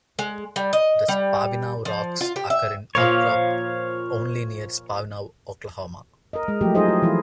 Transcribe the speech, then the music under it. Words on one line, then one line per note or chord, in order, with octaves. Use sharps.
The Spavinaw rocks occur in outcrop only near Spavinaw, Oklahoma.
G#3
G3
D#5
G3
F3
F4
G4
E5
A#2 F3 C#5 F5
A#4 D#5
G#3
F3 F#3 A3 G4
F#3 D#4 F4 G#4 C5 D#5
E4
E3 F3 E4 F4